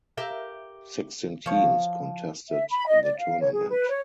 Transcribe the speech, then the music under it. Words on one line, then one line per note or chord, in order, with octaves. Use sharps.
Sixteen teams contested the tournament.
G4 A#4 E5
F3 C#5
E5
B5
D#5
D5
F5
C#5
G#4
B4
C#5